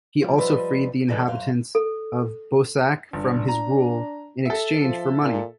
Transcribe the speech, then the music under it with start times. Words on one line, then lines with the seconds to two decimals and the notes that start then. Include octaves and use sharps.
He also freed the inhabitants of Boussac from his rule, in exchange for money.
0.22 F3 G3
0.38 F3 G3 B4 C5 D#5 E5
1.08 E3 G#3 D4 G#4 A4
1.27 F#2 C5 F5
1.75 A4
3.13 G1 D4
3.48 A#5
4.46 A4 E5
4.82 F3
5.21 A#2